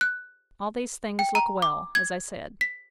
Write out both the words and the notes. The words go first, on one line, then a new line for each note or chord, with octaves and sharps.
All these things look well, as I said.
F#6
G5
A#5
D6
G#6
B6